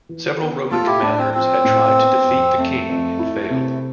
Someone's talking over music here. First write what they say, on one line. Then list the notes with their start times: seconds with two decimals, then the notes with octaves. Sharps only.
Several Roman commanders had tried to defeat the king and failed.
0.09 E3
0.40 B3
0.71 A3 F4 A4
0.86 E4 G4
1.02 A2 D4
1.18 C4
1.33 F3 C4
1.65 A2
1.95 B3
2.27 F2
2.58 F2 A3
2.89 F2
3.19 E4
3.50 C3